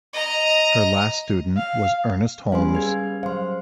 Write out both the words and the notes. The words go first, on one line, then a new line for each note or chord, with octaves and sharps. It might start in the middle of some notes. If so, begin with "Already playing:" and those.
Her last student was Ernest Holmes.
D#5 A#5
F5
G3 C#4 B4 F5 G#5 C6
B3 G#4 B4 G#6
F#3 C5 F5 C6